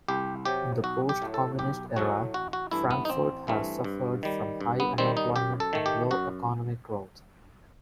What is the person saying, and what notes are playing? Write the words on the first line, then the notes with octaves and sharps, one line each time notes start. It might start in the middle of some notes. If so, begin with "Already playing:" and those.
In the post-communist era, Frankfurt has suffered from high unemployment and low economic growth.
C2 G4
C3 F#3 G4
B1 F#4
G4
A2 F#3 A3
A4
B1 G4
A2 F#3 A3 F#4
A1 F#4
F#4
G2 E3 A3 E4
B3
D#4
A1 C4
G2 E3 A3
G2
D#3 G3
G2
B3
D#3 G3 C4
D#4
F#2 G4
A4
D#3 A3
G4
F#2 F#4